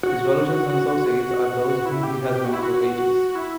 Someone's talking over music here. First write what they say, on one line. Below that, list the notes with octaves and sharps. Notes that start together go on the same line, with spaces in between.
His relatives and associates are those whom he has known for ages.
F#4
F#4
F#4
E4
G4
G4
F#4
E4
F#4
E4